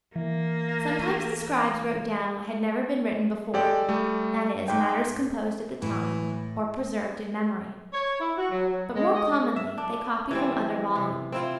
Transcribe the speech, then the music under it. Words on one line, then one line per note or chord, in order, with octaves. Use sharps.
Sometimes the scribes wrote down what had never been written before, that is, matters composed at the time, or preserved in memory; but more commonly they copied from other volumes.
E3 A#3
G#3 G4 A4 D5 G5
G3 A3
G#2 G5
A2 E3
C#5
E4
F#4
F#3
F#3
G#3
D#5
G#3
E5
D4
E3 G3 C4
C3
C4 E4 F4